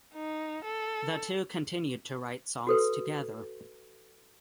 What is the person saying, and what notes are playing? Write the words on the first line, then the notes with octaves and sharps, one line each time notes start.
The two continued to write songs together.
D#4
A4
F#4 A4 B4